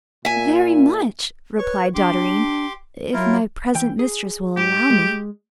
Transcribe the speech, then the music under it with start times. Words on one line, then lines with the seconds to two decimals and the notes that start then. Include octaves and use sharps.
'Very much,' replied Dotterine, 'if my present mistress will allow me.'
0.25 A#2 E5 G#5
1.58 B4 C#5 C#6
1.95 D4 G4 C6 D6
3.13 F#3 E4 F4 A#4
3.74 E3 G5
3.99 G#4
4.57 G#2 G4
4.90 G#3